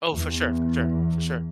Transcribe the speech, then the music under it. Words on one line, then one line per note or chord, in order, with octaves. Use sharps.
Oh, for sure, for sure, for sure.
E2